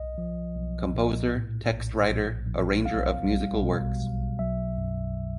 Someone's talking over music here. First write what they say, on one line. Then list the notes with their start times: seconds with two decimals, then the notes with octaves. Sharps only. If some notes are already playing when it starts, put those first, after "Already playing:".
Composer, text writer, arranger of musical works.
Already playing: B1 D#5
0.18 F3
0.56 B1
0.94 A#2
1.32 A2
1.71 A#1
2.09 A#1
2.47 A#1
2.85 B1 F5
3.24 G3
3.62 B2
4.01 B1
4.39 F#3 E5
4.77 F#2